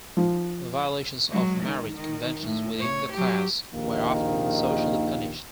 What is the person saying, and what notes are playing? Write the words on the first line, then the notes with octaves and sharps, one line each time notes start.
Violations of marriage conventions within the class were often socially punished.
F3
F#3 G#3
D#3
D#3
A2
C#5
F#3 G4
A#1 D#2 D#3 A#3 D#4